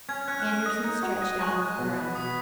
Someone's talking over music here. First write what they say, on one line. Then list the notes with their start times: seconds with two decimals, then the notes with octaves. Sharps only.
Andersen stretched out on the ground.
0.09 C#4 G#6
0.28 C#4 F#6
0.40 F#6
0.46 C#4
0.53 F#6
0.66 D#5
0.84 D#4
1.03 F#4
1.22 D#5
1.40 G#3 C#6
1.59 G#3
1.78 B2
1.97 B3
2.15 B3 D#6